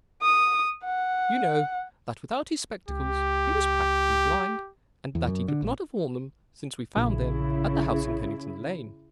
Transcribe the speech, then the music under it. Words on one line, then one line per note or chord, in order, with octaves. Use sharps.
You know that without his spectacles he was practically blind, and that he could not have worn them since we found them at the house in Kennington Lane.
D#6
F#5
C#2 G4
E2
F#2
D3
A#1
A#1 C#3 E4